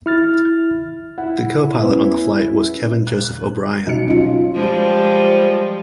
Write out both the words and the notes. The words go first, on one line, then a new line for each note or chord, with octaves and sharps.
The co-pilot on the flight was Kevin Joseph O'Brien.
E4 F6 A6
E4 F#5
B3 C#4
F#6
B1 C#7
C#4 F4
F3 G3 G#3